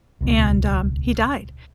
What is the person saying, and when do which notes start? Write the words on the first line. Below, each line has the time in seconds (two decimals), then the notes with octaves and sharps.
and, um, he died.
0.21 D#1 C#2 B2